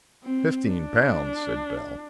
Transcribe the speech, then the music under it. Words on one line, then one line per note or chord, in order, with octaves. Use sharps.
"Fifteen pounds!" said Bell.
C4
D4